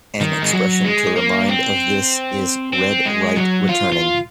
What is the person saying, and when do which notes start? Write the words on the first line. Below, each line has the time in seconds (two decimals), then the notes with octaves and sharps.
An expression to remind of this is "red right returning".
0.21 D#3
0.42 G#3
0.53 F#3
0.84 G#3
1.16 A#3
1.48 C4
2.73 C4
3.05 G#3
3.37 F#3
3.69 F4
3.92 F4